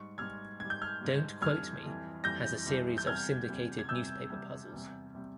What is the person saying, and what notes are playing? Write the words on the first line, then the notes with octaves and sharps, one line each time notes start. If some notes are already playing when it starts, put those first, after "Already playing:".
Don't Quote Me has a series of syndicated newspaper puzzles.
Already playing: G#2 G3 C#6
G#2 G3 F6 G#6
G#2 G3 G#6
G6
F6 G#6
G#2 G3
F2 E3 G3 F6 G#6
F2 E3 G3
F2 E3 G3 G6 A#6
F2 E3 G3
G6
E2 C3 G3 F6 G#6
E2 C3 G3
G#6
E2 C3 G3 E6 G6
E2 C3 G3
E2 C3 G3
C3 G3